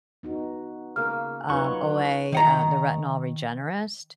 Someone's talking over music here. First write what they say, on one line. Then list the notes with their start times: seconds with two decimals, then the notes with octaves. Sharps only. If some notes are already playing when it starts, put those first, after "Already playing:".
um, Olay, uh, the Retinol Regenerist,
0.23 B3 D#4 F#4
0.96 C#3 A#3 F6
1.50 F#3 D#4 F4 B4 C#6
2.32 D#3 F#5 A#5